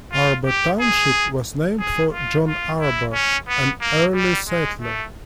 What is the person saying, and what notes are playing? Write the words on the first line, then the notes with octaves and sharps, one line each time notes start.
Arbo Township was named for John Arbo, an early settler.
F4
G4
G#4
G#4
F4
F4
E4
C#4
B3
A#3
G3
G#3
A3